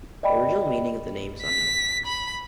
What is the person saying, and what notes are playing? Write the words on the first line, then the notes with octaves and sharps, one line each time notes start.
The original meaning of the name is unknown.
D5 D#5 G5 B5
B6
B5